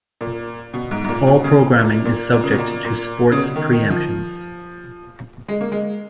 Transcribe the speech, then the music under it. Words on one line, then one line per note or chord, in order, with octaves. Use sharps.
All programming is subject to sports pre-emptions.
A#2
B2
G#2
G#2
A#2
B2
C#3
A#2
A#2
A#2
C#3
B2
A#2
A#2
C#3
B2
D#3
D#3
F3
G#3
A#3
G#3